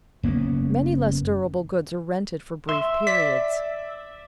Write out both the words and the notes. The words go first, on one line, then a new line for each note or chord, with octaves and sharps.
Many less durable goods are rented for brief periods.
F#1 A#3 B3 C#4
E5 C6
D5 B6